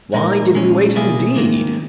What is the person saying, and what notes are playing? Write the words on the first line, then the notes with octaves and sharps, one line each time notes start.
Why did we wait, indeed?
A#2 G#3 D#4 A#4
A#2 G#3 C#4
B1 B2 A#3 E4 G#4
G#2 D#3 A#3